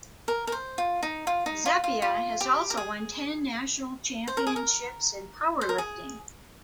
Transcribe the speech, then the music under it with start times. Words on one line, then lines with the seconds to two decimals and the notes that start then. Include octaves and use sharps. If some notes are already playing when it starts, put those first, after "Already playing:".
Zappia has also won ten National Championships in powerlifting.
0.28 A#4
0.47 A#4
0.52 C5
0.78 F4
1.03 D#4
1.27 F4
1.46 D#4
1.66 F4
1.84 F4
2.02 F4
2.41 G4
2.70 A#4
2.77 G#4
4.27 C5
4.37 A#4
4.47 G#4
4.56 A#4
5.61 C5
5.69 A#4
5.78 G#4